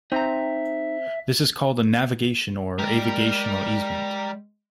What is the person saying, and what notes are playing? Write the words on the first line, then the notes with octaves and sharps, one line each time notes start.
This is called a navigation or avigational easement.
C4 D#4 E5 A#5
G3 G#3 G4 A#4